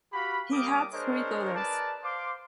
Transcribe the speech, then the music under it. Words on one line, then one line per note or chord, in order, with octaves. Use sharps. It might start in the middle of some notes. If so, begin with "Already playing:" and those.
He had three daughters.
F#4 G4 F5 B5
G3 A#3 A#4 D6 D#6
D4 G#4 A#4 C5 C#5 D#5
G#4 A#4 B4 D5 A5
C5 F5 C6 D6